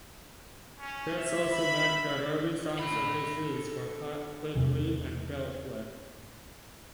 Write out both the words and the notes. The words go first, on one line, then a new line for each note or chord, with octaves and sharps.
This also meant that early signs of disease were caught quickly and dealt with.
C#4
E5
B5
A4 B5
E2 C3 E3